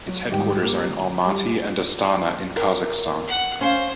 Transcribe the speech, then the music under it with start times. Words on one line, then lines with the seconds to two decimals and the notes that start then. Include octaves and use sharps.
Its headquarters are in Almaty and Astana in Kazakhstan.
0.07 F#3
0.30 G#2 D#3 G3 D5 G5
0.63 G2 G3 A#3
0.90 D2
1.26 G3
2.56 A#4
3.28 F#5
3.61 C#4 C5 F5